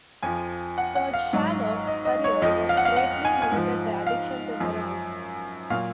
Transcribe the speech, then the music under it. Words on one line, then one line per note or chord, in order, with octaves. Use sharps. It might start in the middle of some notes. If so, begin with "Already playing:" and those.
Serge Chaloff's career was greatly limited by addiction to heroin.
F2 F3 G#5
F#5
F#5
F5
G#2 F#3
D#5
D#5
C#5
F2 F3 D#5
F5
F#5
F5
F#5
G#5
G#5
G#2 F3
F5
F#2 F3
A#2 F#3 F5